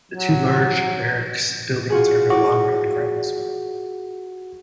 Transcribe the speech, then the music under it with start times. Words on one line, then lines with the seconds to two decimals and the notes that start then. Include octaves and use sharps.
The two large barracks buildings are no longer on the grounds.
0.12 F#3
1.90 F4 F#4 G#4
2.30 F#4 D6